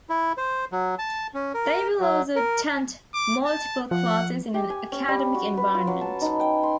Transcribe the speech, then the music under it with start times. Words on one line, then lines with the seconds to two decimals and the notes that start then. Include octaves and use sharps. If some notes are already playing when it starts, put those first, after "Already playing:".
They will also attend multiple classes in an academic environment.
0.10 E4
0.38 C5
0.72 F#3
0.99 A5
1.34 C#4
1.54 A#4
2.00 F#3
2.36 A#4
3.14 D6
3.46 A5
3.91 F3 F#5
4.54 G4
4.70 G#5
4.92 C#4
5.08 G3
5.34 F#4
5.57 B4
5.75 F4
5.87 F#3
6.01 A5
6.22 D#4
6.40 G5
6.63 C6